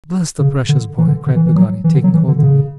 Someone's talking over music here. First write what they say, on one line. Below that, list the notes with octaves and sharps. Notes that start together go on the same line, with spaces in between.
'Bless the precious boy!' cried Peggotty, taking hold of me.
C#3
D3
E3
D3
D3
E3
E3
F#3
E3
D3
F#3
E3
D3
D3
C#3